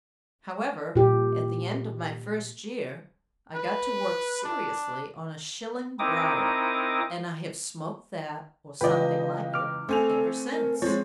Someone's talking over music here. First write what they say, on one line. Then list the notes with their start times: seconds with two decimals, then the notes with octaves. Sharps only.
However, at the end of my first year I got to work seriously on a shilling briar, and I have smoked that, or something like it, ever since.
0.96 A#2 G4
3.55 B4
4.44 D4
5.99 C4 D#4 E4 A#4 D6 D#6
8.81 C#2 E3 G4 B4 D5 D#5 F5
9.54 D6 F6
9.89 A3 C4 A4 G#5 F7
10.51 A#4
10.82 F3 G#3 C4 C#5